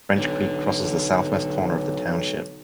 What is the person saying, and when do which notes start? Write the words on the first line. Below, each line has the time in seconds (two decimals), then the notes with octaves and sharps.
French Creek crosses the southwest corner of the township.
0.18 B1 D3